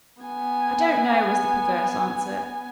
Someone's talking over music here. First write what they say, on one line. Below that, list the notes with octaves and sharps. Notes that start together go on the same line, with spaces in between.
"I don't know," was the perverse answer.
B3 G#5